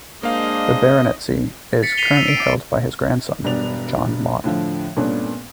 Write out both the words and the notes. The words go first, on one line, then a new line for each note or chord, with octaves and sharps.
The baronetcy is currently held by his grandson, John Mott.
G#3 A#3 D4 C5 D#5 F5
A6 B6 C#7
B6 C7 D#7 F7 G7
E6 B6 D#7 F7
C7 D7
D6 D7
E1 G2 B3 D5 F7
A2 D3 F3
G2 A#2 A3 B3 C#4 D4